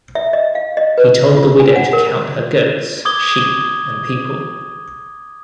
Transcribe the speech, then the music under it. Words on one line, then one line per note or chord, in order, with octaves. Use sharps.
He told the widow to count her goats, sheep and people.
E5
D#5
F5
D#5
B4
F4
G#5
F#5
A#4
D6 D#6 G#6 G7